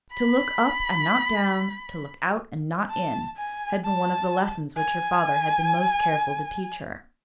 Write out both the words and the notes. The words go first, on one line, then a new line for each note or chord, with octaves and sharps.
"To look up and not down, to look out and not in," had been one of the lessons which her father had been most careful to teach her.
B5
A5
G#5
A5
G#5